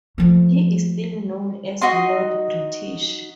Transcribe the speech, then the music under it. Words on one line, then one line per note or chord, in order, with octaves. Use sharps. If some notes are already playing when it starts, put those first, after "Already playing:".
He is still known as Lord British.
F3 A3
D#4 F#4 D#5 C6